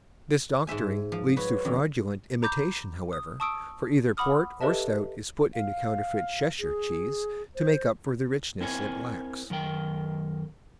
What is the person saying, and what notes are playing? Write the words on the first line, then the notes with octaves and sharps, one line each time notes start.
This doctoring leads to fraudulent imitation, however, for either port or stout is put into counterfeit Cheshire cheese to make up for the richness it lacks.
G#2 C5 E5 G#5
F3
F#3 B4 C#5
F2 D3
A#5 B5 D6 G6
D#6
A5 C#6 D#6 E6 D7
F#5 B5 D6 D#6 F6
G4 A4 B4 D#5 E5 A5
F5
G#4
C5
C4 E4 A#4 C5 C#5 G#5
F#2 D#3 A#4 G5